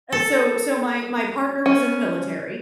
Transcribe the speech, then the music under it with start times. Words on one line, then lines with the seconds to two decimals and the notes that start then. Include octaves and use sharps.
uh, so so my my partner was in the military
0.12 A4
1.66 C#4